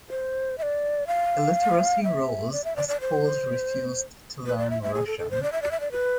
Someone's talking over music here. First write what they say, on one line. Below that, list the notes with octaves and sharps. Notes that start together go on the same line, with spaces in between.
Illiteracy rose as Poles refused to learn Russian.
C5
E5
D5
F5
E5
D5
E5
D5
D5
C5
B4
D5
E5
E5
G#4
A4
A4
C5
D5
E5
D5
E5
D5
B4